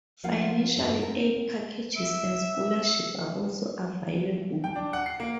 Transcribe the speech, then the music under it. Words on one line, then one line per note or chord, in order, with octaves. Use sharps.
Financial aid packages and scholarships are also available.
F3 A#3 F4 F5 F#5
G2 A3
C4 A#4
E5
G5
D4
F#5
C7
A#3